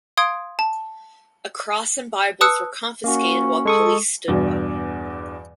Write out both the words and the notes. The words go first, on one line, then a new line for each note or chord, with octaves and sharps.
A cross and Bibles were confiscated while Police stood by.
F5 C6 D#6 G#6 D7
A5
B4 A5 D#6 E6 F#6 C#7
A#3 C#4 F#4
G#3 A4 C#6 D#6
E2 G2 B2